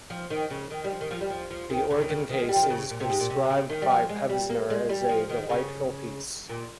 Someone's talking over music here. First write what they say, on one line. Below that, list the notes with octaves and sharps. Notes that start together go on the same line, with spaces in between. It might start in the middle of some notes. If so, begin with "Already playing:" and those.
The organ case is described by Pevsner as "a delightful piece".
F3
D#3
C#3
D#3
G3
F3
D#3
F3
G3
F3
F3
D#3
C#3
D#3
C#3
D#3
G#3
G3
F3
D#3
C#3
A#2
C3
G#2
A#2
C3
C#3
D#3
G3
F3
G#3
G3
A#3
G#3
G3
F3
D#3
C#3
A#2